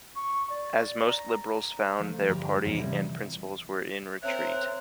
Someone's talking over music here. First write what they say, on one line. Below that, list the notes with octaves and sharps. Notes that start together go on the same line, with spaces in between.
As most Liberals found their party and principles were in retreat.
C#6
D5
A#5
F3 A3
D2 G2 F3 G4 A#5
G#2 B2 E3 F3 C#4
C3 E3 G3
C4 A#4 C#5 E5 F#6